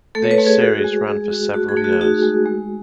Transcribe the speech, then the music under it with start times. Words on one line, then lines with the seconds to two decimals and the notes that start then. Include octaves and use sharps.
These series ran for several years.
0.15 A3 A4
0.24 C#5
0.31 B4
0.38 A3
0.46 G#4
0.61 F#4
0.84 G#3
1.07 G#3
1.30 F#4
1.53 A3 F#4
1.69 G#4
1.77 A3
1.84 F#4
1.93 G#4
2.00 D#4 F#4
2.22 G#3
2.46 G#3